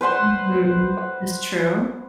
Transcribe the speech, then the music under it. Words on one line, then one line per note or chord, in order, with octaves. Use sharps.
Mhm. That's true.
B4 C5 F#5 C6